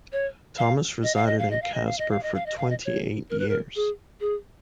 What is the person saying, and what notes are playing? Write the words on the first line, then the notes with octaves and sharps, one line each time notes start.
Thomas resided in Casper for twenty-eight years.
C#5
F5
D#5
F5
D#5
F5
D#5
F5
D#5
F5
D#5
F5
D#5
F5
D#5
F5
D#5
C#5
A#4
B4
A#4
G#4
G#4